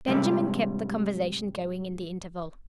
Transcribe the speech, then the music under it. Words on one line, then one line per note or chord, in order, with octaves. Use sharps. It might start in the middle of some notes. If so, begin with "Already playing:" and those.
Benjamin kept the conversation going in the interval.
G#2 C3 G3